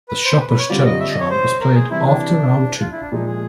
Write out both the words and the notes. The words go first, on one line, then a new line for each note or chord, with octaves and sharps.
The "Shopper's Challenge Round" was played after round two.
B4
C5
B4
B4
C#5
D3 G3 C4 F4 D5
D#5
E5
D#5
C#5
C5
A#4
G#4
C3 E3 G3 E4
D4
F4
E4
D4
A#2 F3 G#3 D#4
G#4